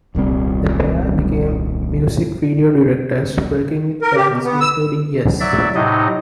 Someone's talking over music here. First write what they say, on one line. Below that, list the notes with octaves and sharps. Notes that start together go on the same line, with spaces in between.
The pair became music video directors, working with bands including Yes.
D#1 C2 G3 C4
A#4
G4
B2
B3
E6
F#3 D5 E5
A2 C3 F#3 D#4 D#5